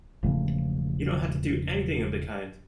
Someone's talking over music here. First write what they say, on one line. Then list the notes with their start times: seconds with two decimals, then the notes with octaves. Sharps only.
You don't have to do anything of the kind!
0.23 E1 A2 C#3 F3